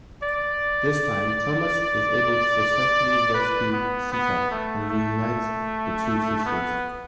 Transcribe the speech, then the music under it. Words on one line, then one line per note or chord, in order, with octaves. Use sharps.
This time Thomas is able to successfully rescue Sita and reunite the two sisters.
D5
B4
B3
B3
A3
A3
B3